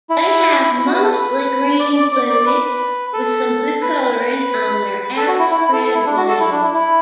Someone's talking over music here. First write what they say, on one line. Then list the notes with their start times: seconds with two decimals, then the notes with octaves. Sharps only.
They have mostly green plumage with some blue colouring on their outspread wings.
0.10 E4
0.78 E4
0.86 F#4
0.94 B4
1.03 A4
1.12 B4
1.79 D5
1.96 D5
2.12 D5
2.29 D5
2.46 B4
3.13 A4
3.82 B4
5.17 A4
5.28 F#4
5.39 E4
5.50 E4
5.61 E4
5.72 A4
5.84 A4
5.95 E4
6.06 D4
6.17 F#4
6.29 A4
6.40 E4
6.51 D4
6.62 E4
6.73 E4